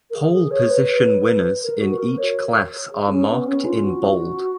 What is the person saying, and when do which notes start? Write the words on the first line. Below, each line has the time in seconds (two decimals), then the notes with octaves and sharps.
Pole position winners in each class are marked in bold.
0.10 A#4
0.14 G#4
0.33 G#4
0.50 C#5
0.69 B4
1.62 A#4
1.80 F#4
1.98 A#4
2.17 C#5
2.90 G#4
3.09 C#4
3.28 B3
3.46 C#4
3.65 F4
3.82 F#4